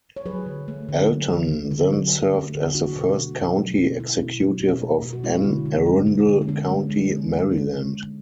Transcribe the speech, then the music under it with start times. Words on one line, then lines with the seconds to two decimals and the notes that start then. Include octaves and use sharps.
Alton then served as the first County Executive of Anne Arundel County, Maryland.
0.17 C#5
0.26 F#3 G#4 B4
0.46 D3
0.68 A3
0.89 D3
1.09 F#3
1.30 D3
1.51 A3
1.71 D3
1.93 F#3
2.13 D3
2.34 A3
2.55 D3
2.75 F#3 D4 F#4
2.96 B2
3.16 A3
3.38 B2
3.58 F#3
3.78 B2
3.99 A3 C#4 E4
4.19 B2
4.41 F#3
4.61 B2
4.82 A3
5.02 B2
5.13 F#4
5.23 G#3 C#4 E4
5.44 D3
5.66 D3
5.86 G#3
6.07 G#3
6.28 D3
6.42 C#4
6.48 D3 B3 D4
6.69 G#3
6.90 G#3
7.10 D3 C#4
7.31 D3
7.52 G#3
7.73 A3
7.94 D3